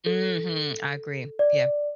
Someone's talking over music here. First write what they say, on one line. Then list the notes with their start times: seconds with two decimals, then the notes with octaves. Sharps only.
Mhm, I agree. Yeah.
0.06 A4
1.39 D5